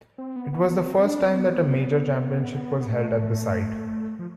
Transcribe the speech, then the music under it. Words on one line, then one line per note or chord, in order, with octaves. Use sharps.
It was the first time that a major championship was held at the site.
C4
B3
B3
B3
C4
D4
C4
B3
B3
A3
F3